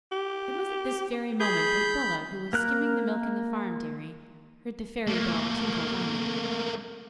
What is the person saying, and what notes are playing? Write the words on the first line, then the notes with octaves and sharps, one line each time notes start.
It was at this very moment that Bellah, who was skimming the milk in the farm dairy, heard the fairy bell tinkle violently.
G4
G#4 B5 G6
A#3 A#4 F#6
A3 A#3